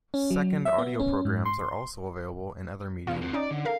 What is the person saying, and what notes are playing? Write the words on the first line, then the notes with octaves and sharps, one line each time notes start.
Second audio programs are also available in other media.
C#4
F#3
E5
B3
C#4
G#2
C6
B2 E3 F4
C4 F#4
C#4 D#4 D5
D3
A4 A#4 F5